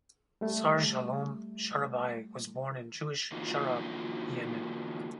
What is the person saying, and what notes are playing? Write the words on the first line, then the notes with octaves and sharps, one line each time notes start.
Sar Shalom Sharabi was born in Jewish Sharab, Yemen.
G3 A3
D3 E3 A#3 D#4 F4 F#4